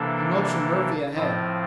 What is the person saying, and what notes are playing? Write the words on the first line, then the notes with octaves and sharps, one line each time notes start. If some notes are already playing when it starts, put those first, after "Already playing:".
He motioned Murphy ahead.
Already playing: C3 E3 A#3 D4 A4
A2 F3 C4 F4